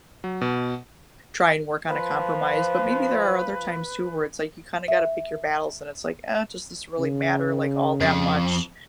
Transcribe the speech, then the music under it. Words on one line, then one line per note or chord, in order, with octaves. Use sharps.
try and work on a compromise, but maybe there are other times too, where it's like you kinda gotta pick your battles, and it's like, "Uh, does this really matter, like, all that much?"
F#3
B2
F3 B4
E5
C#3
F2